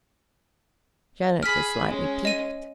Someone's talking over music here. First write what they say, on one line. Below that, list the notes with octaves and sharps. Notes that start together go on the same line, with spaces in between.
Janet was slightly piqued.
G#4 B5 F6 B6
G#3 C#4
D#5 D#7